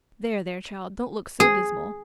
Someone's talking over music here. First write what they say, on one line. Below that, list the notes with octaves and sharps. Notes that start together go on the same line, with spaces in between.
There, there, child, don't look so dismal.
G#4